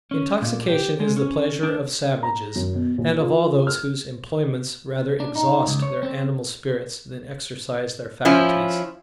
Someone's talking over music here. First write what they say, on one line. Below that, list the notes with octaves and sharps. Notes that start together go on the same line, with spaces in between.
Intoxication is the pleasure of savages, and of all those whose employments rather exhaust their animal spirits than exercise their faculties.
C#4
A#2
G4
G#3
C#4
D4
A#5
F#2
B2
A#1
F4
F6
D4
D#4
C#2
C#5
C4
F3 C#4 E4